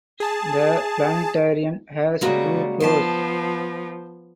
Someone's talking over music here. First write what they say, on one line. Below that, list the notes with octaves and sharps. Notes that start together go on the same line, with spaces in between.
The planetarium has two floors.
G#4 A5
C#3 G3 G#3 A#3 F#4
F3 B3 C5 G5 A5